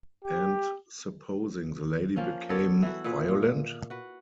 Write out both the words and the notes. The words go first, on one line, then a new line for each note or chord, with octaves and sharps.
And supposing the lady became violent?
G4
F3 A#3 C#4
B3 A4 C#5 D5
E3 E4 F#4
A#2 G#4 B4
A#2
F#4 B4